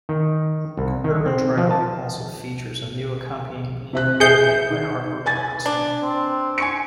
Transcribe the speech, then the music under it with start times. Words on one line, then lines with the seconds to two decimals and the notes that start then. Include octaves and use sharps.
"Urban Tribal" also features a new accompanying vocal by Harper Robertson.
0.09 D#3
0.77 C2
1.04 D#3
1.26 C4
1.57 F3
1.71 A5
3.93 C3 E5 F#6
4.20 G#4 E5 G6 C7 C#7
4.70 D#3
5.26 B4 G#5 A6
5.66 D4
6.02 C4
6.58 G#5 C#6 C#7